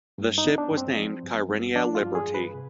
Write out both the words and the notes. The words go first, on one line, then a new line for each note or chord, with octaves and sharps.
The ship was named "Kyrenia Liberty".
G2
D#4
B3
D4
G2
C4
F3
G2
G2
F3 D4
F4
G2
G#4
G2
B4
C3